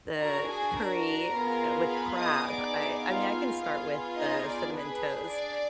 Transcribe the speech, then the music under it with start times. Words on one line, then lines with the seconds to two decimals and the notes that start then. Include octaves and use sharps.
the curry, uh, with crab, I I mean I can start with the cinnamon toast,
0.19 D4 F#4 A#4 A#5
0.48 G#4 G#5
0.77 A#4 A#5
1.33 B3 F4 G#4
1.89 B4 B5
2.18 D#5 D#6
2.45 B3 D#4 G#4 D5 D6
3.02 F4 F5
3.58 B3 F4 G#4
4.15 D#4 D#5
4.44 D5
4.72 D4 G#4 B4
5.28 D5